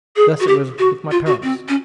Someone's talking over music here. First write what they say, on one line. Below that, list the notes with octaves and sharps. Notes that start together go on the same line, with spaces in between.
Thus it was with my parents.
G#4
F#4
G4
F#4
F4
F#4
C4
C#4